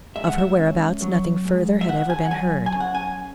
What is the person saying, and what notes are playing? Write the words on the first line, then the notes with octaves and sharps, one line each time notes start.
Of her whereabouts nothing further had ever been heard.
G#2 E5
F#5
E5
C#4
F#3
G#2
E5
E2 F#5
G#5
F#5
F#3 G#5
G#5
C#3
F#5
G#5